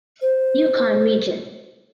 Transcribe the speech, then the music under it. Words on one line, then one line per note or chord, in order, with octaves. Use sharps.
Yukon region.
C5